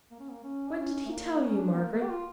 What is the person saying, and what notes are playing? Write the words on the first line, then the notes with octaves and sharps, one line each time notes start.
'When did he tell you, Margaret?'
A#3
C#4
A#3
C#4
D4
C#4
A3
A#3
C#4
D4
A#3
A#3
G4
F4